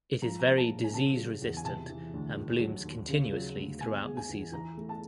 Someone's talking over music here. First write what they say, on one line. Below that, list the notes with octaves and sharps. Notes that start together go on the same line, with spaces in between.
It is very disease resistant and blooms continuously throughout the season.
F3 A#5
A#5
A#3
A5
A#2
G#5
C#3 A5
F#3
E2
G#5
C3 A5
E3
D2
D#3
F#3
D#2
C#3
F#3
D2
B2 G#5
G#3
G#5
E2
E3 A#5
A3
A5